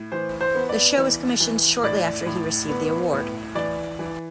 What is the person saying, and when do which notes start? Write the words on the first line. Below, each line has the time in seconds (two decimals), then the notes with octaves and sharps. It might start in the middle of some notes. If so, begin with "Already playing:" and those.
The show was commissioned shortly after he received the award.
Already playing: A2
0.12 E3 C5
0.41 C5
0.55 B3
0.69 D5
0.98 E3
1.40 E3
1.83 A2 D5
2.26 A2
2.69 B3
3.13 A2
3.55 E3 D5
3.99 E3